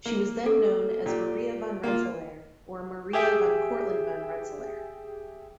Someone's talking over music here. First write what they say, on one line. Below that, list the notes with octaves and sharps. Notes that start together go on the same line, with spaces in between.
She was then known as Maria van Rensselaer or Maria van Cortland van Rensselaer.
A#3
A4
A#2 G4
A#3 F4
G4 G#4 E5 G5